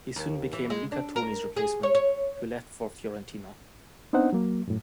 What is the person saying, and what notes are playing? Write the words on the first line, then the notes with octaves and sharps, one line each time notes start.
He soon became Luca Toni's replacement, who left for Fiorentina.
D#2
E3
G#3
D4
A#4
G#4
C#5
C#5
B3 C4 D4 D#4 C5 F#5
F#3 A#3
F#2 A2